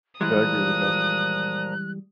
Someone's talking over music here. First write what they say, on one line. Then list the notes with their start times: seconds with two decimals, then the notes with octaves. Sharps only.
Yeah, I agree with that.
0.21 A#2 E3 F3 G3 G#3 A#5 D#6 F#6